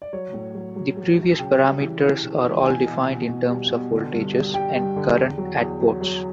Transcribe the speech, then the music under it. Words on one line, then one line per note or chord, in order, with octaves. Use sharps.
The previous parameters are all defined in terms of voltages and currents at ports.
D5
F#3 C#5
A2
F#3
F#3
F#3
F#3
C#3 G5
G3
E3
E3
C#3
E3
G5
B2 G#5
B2
B2
B2
G3
B2
D3
G2
G3
G3 G5
G2
D3
E2
F#3
E2
F#3
F#3